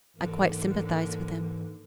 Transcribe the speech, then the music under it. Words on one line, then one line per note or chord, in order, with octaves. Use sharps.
I quite sympathise with him.
G#2 D3 E3 A#3